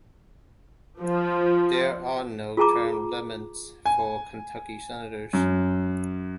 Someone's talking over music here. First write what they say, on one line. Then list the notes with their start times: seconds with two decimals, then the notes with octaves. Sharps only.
There are no term limits for Kentucky Senators.
1.00 F3
2.57 F4 G#4 A5 A#5 D6
3.86 G#5
5.33 F#2